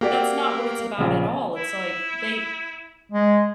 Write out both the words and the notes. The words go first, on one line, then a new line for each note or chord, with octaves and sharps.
that's not what it's about at all, it's, like, they
A#3 F#4 G4 D5
A#1 C#3
E4
G#3